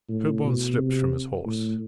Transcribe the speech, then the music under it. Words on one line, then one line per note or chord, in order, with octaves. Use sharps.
Sherburne slipped from his horse.
A2
B2
C3
A2